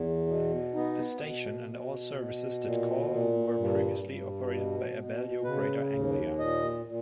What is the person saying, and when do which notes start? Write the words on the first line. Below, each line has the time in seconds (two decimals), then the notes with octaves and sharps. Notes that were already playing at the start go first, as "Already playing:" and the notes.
The station and all services that call were previously operated by Abellio Greater Anglia.
Already playing: E2
0.27 B2
0.73 B3 D#4
1.21 B2
1.68 B2
2.16 B2
2.63 A#2
3.09 A#2
3.57 G2
4.04 G2
4.51 B2
4.98 B2
5.44 C#3 B4
5.92 D#2
6.38 A#2 D#5
6.86 A#2